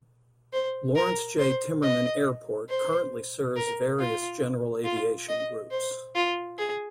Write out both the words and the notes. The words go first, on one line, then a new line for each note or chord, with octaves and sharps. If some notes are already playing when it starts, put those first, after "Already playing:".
Lawrence J. Timmerman Airport currently serves various general aviation groups.
C5
A#4
C5
D#5
C5
A#4
F4
F4
D#5
C5
F4
G#4